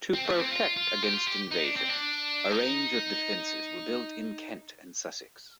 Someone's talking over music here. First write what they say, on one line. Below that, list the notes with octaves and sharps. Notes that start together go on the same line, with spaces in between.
To protect against invasion, a range of defences were built in Kent and Sussex.
C4
A3
C4
F4
F4
G4
F4
G4
D#4
D4
C4
D4
D#4